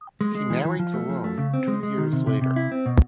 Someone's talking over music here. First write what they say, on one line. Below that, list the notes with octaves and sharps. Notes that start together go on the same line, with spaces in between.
He married Verrone two years later.
G#3
G#3
E3
E3
F3
A3
F3
A3
C#3
C4
G#3
G#3
D#3
C3
C3
C3
E4
C4
B2